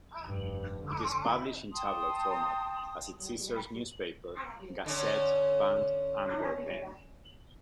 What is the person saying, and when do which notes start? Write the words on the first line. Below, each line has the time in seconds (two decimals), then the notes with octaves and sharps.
It is published in tabloid format as its sister newspaper "Gazet van Antwerpen".
0.24 F1 G2
0.82 D3
1.72 G5 A5 C6 D#6
4.86 D3 C#4